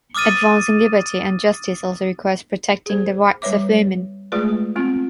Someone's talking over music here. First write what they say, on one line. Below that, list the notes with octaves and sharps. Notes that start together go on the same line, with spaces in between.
Advancing liberty and justice also requires protecting the rights of women.
D6 D#6 F6 A6 D#7
G#4 C5
G3 B4 C#5 E5 D6
G#3 A3 F4 G#4 B4 D5
B3 C4 F4